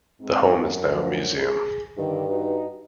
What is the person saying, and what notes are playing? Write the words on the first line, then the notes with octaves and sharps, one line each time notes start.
The home is now a museum.
G#2 C4
F#2
F3
G#4
G2 D3 D#3
D#4 F#4 B4